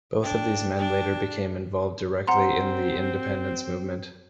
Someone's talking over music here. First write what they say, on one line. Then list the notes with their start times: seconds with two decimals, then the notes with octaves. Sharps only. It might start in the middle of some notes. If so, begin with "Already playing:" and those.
Both of these men later became involved directly in the independence movement.
0.22 D4 G5
0.78 D4
2.27 C4 F#5 A#5 C6